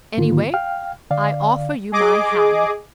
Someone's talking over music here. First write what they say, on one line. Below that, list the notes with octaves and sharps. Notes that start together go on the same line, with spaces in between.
Anyway, I offer you my hand.
G#2 D3 D#3 A#3 F4
F5 G5 F6
D3 D5 F5
G#4 D#5 D6